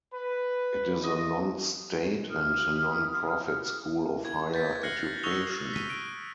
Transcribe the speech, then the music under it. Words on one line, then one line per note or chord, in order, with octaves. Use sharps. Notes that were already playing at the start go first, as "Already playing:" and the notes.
It is a non-state and non-profit school of higher education.
B4
D#5
E4 D#6 F6
G#6
G6 A6 B6
F6 F#6 A#6 C7 C#7 F#7
C#6 D#6 E6 F#6 F7 G7
B6 D#7
D7